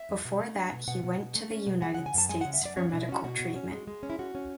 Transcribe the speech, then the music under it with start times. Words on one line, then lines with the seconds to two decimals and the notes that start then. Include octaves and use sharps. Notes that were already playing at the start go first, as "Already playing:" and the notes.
Before that he went to the United States for medical treatment.
Already playing: E5
0.09 E2
0.25 B2
0.40 A3
0.56 D4
0.72 B2
0.88 B2 F#5
1.04 B2
1.20 B2
1.35 A3
1.51 C#4
1.67 B2
1.82 G#3 F#5
1.94 F#5
1.98 C#3
2.06 G#5
2.14 F#2 A5
2.29 G#3 G#5
2.41 F#5
2.45 C#3
2.54 E5
2.61 F#2 D5
2.77 C#4 C#5
2.89 D4
2.93 B2
3.01 E4
3.09 C#4 F#4
3.24 B2 F#4
3.40 B2
3.56 C#4
3.72 G#3
3.87 G#3
4.03 C#4
4.10 E4
4.19 C#4 F#4
4.35 C#4